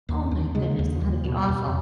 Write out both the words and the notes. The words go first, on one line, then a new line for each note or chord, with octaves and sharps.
Oh my goodness, that had to be awful.
D#2
D#2
C#3 G#3
D#2
D#2
B2
E2